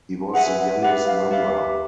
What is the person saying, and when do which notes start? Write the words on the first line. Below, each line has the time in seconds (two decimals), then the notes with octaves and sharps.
He was the youngest member.
0.34 G#4 B4 E5 F#5 G#5
0.58 F#5
0.82 G4 B4 E5 F#5
1.07 F5
1.31 G4 B4 E5 F5